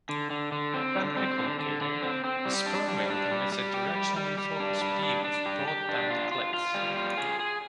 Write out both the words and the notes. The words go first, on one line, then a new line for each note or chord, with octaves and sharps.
When echo-locating, the sperm whale emits a directionally focused beam of broadband clicks.
D3
D3
D3
C4
D3
C4
D3
D3
D3
C4
C4
G3
D4
G3
D4
G3
G3
G4
G3
G3
G3
D4
G3
D4
D4
G4
G4
D4
F4
F4
F4
G3
F4
G#4
G#4